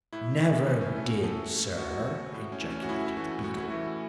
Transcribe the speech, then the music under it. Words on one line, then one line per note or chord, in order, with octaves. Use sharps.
'Never did, sir!' ejaculated the beadle.
A2 E4
A3
A2 C#4
C#4
E4
A3
F#4
A2 A4
A3
A2 F#4
A3
A2 F#4
C#4
E3 A3
C#4
F#4
A2 E4
E4
E3 A3 F#4
A2 F#4
E4
E3 A3 F#4